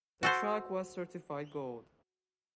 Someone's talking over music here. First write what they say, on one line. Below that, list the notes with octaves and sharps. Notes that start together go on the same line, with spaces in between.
The track was certified gold.
F#4 A4 C5